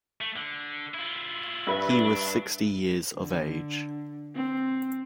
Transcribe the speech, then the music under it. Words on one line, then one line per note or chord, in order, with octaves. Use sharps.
He was sixty years of age.
A3
D3
E4 F4
G2 B4 E5
D4
D3
C4